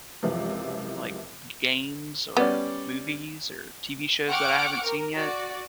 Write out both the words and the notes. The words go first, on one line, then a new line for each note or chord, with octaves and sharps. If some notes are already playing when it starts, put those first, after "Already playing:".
Like, g games, or movies, or TV shows that I haven't seen yet.
C#2 F#2 C3 E3 F3
G3 B3 C#4 D5
F#5 G5 C#6 D6 F6 D7
A#4
F#4 D5